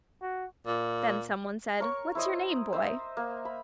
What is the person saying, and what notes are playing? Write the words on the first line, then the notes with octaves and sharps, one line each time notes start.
Then someone said, "What's your name, boy?"
F#4
A#2
A#4 C#5 C#6
E4 C5 D#5
C5 D#5 E5
A#3
B5